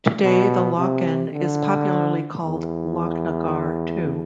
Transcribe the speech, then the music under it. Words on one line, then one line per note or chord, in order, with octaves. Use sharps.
Today the lochan is popularly called Lochnagar too.
B2
C3
D3
E2